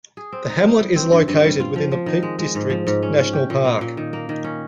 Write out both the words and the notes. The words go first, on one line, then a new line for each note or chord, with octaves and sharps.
The hamlet is located within the Peak District National Park.
G#4
C4
D#4
G3
G3
C4
G2
G2
G3
F4
F3
F3
D#3
G#3
G#3
G#2
F3
G#2
C#4
C#4
G4
A#2
A#3
A#2
D#3
A#3
D#3
C#4